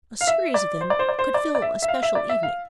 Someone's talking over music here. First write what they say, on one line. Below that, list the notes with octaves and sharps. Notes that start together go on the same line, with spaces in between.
A series of them could fill a special evening.
F5
E5
D5
C5
D5
C5
D5
C5
D5
D5
E5
E5
F5
E5
D5
E5
F5